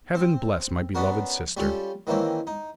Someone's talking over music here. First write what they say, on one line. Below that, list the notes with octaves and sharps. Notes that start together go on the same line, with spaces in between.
Heaven bless my beloved sister!
C4
B3 C#4 D4 F#4 A#4
G3 C#4 F4 G4 A4
D#3 E3 A#3 C4 C#4
D#4